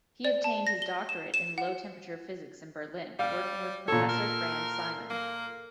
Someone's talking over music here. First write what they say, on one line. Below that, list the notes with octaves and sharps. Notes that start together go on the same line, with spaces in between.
He obtained his doctorate in low-temperature physics in Berlin, working with Professor Franz Simon.
D5
A5
A#6
G7
E7
E7
F#5
G3 F5
A#2 A4 C#5
A#4
A#3